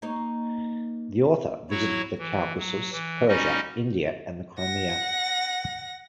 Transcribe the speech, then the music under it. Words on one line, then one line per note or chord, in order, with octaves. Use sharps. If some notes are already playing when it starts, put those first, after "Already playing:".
The author visited the Caucasus, Persia, India and the Crimea.
A#3 D#4 C#5
F#3 E4 F#4 C#5
E3
F#3
E3
G3 C#4 D#4 F#4 D#5
F#5 A#6